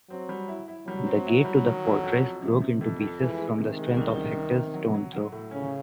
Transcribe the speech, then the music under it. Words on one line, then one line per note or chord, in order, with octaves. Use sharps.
The gate to the fortress broke into pieces from the strength of Hector’s stone throw.
F#3 C4
G3
E4
E4
F#3 G3
C4
E4
G3
D#3
F2
F2
F2
C3
C3
F2
F2
E3 G#3
G#3
C3 D#3
G#3
C2
C3
C3
C3
F#3
F#3
F#3
A2
C#3 C#4